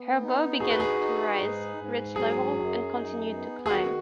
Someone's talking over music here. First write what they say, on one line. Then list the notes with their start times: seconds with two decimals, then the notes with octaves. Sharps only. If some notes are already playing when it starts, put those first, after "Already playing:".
Her bow began to rise, reached level, and continued to climb.
Already playing: B3
0.22 D#4
0.60 F#4 G#4
0.70 B4
0.80 G#4
0.99 D#4
1.38 G#2
1.77 G#2
2.16 F#3 G#4
2.54 F#2
2.93 D#4
3.32 B3
3.66 G#4
3.70 D#3 F#4